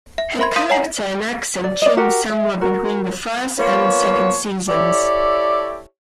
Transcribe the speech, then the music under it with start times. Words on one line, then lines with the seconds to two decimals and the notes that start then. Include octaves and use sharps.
Her character and accent changed somewhat between the first and second seasons.
0.18 E5
0.38 A#4 C5 E5 B5 C6 G#6
0.56 F5 C6 D#6 G6 D#7
0.70 C#5 F#5 G#5 A#5 C7 F#7
1.64 D5
1.82 D5 D#5
1.97 F#4 G4 A#4 F#5
2.30 E5
2.61 F#4 A#4
3.59 F3 A#3 B3 C#5
4.69 E4 G4 A4 C#5 D5